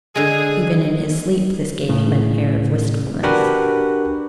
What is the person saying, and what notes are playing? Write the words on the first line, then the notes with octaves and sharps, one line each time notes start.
Even in his sleep, this gave him an air of wistfulness.
D3 G#3 G#4
A2 C#3
D4 F#4 G4 A#4 B4